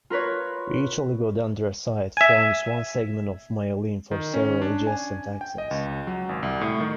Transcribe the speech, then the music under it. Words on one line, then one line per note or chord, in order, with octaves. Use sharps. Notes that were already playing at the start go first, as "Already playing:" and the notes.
Each oligodendrocyte forms one segment of myelin for several adjacent axons.
F4 A#4 B4 C#5
E5 G#5
D#3
C#4
D4
G#5
G5
D#5
C#2
F#3
G#1
C2
A2
D#3